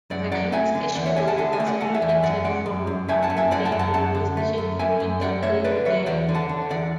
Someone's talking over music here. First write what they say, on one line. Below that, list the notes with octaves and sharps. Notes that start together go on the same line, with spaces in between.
The current station building was relocated from Avondale Railway Station following the upgrade there.
F#2 D5 F#5
F#3 D5 F#5
A3 E5 G#5
D3
E2 D5 F#5
C#5 E5
D3 E5 G#5
F#5 A5
D3 E5 G#5
E5 G#5
A3
D5 F#5
A3 F#5 A5
E5 G#5
E2
E5 G#5
F#2 D5 F#5
G#3 D5 F#5
F#2
F#2
F#2 E5 G#5
F#5 A5
F#2
E5 G#5
F#2 D5 F#5
F#5 A5
F#2
F#5 A5
F#2 F#5 A5
D3
A3
F#2
F#2 E5 G#5
F#2
F#2 D5 F#5
A3 C#5 E5
D3 B4 D5
F#3 C#5 E5
E2 D5 F#5
D3
F#5 A5
D3
E2 D5 F#5